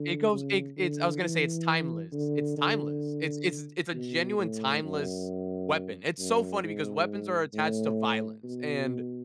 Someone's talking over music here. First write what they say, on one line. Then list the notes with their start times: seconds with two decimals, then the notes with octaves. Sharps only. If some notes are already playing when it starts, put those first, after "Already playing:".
it goes it it's I was gonna say it's timeless, it's timeless. It's it's it's a genuine timeless weapon. It's so funny because weapons are attached to violence, and,
Already playing: D3
0.32 C#3
0.77 D3
1.22 E3
2.12 D3
2.57 D3
3.93 B2
4.38 A2
4.83 F#2
6.19 F#2
6.63 G#2
7.53 A2
8.43 B2